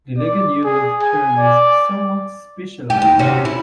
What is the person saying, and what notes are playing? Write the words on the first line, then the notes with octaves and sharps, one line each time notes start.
The legal use of the term is somewhat specialized.
D5
G#4
G#5
D5
G4
D#2
C3 C#4 F#4
E4